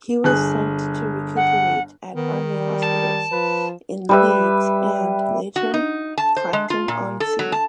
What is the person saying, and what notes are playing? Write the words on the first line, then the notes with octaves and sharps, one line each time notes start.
He was sent to recuperate at Army hospitals in Leeds and, later, Clacton-on-Sea.
G1 G#4 F#6
F#5
D#3 B3
G3
A5
F3 B4
G3 B4 E5
F#4
D#4
A5
C5
G#3
F4
A#2
A4
F#3
A5